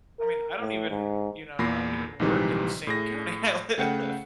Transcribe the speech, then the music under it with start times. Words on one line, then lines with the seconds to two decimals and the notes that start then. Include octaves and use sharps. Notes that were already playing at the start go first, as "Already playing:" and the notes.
I mean, I don't even, you know, I don't even work in the same county I live in,
0.19 A#4
0.60 A2
0.90 G#2
1.59 E2 A#2 A#3 B5 A#6 C7
2.19 A#1 G#2 C3 D#3 E3 G3
2.87 A2 G#4 A#6
3.78 C#3 A3 F#5 G5 C#7